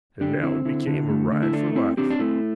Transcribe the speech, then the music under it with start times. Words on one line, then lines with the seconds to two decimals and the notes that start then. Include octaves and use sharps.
And now it became a ride for life.
0.21 D3 D4 G4
0.43 C4 E4
0.65 D3 E4
0.87 D3
1.10 A3
1.32 D3
1.43 E4
1.53 A3 D4
1.76 C4 E4
1.97 C4 D4 G4
2.11 D4
2.19 A3 E4